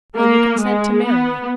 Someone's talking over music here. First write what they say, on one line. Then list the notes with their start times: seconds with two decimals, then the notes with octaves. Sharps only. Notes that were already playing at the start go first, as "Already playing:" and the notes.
"Will you consent to marry me?"
0.16 A#3
0.60 G#3
1.04 B3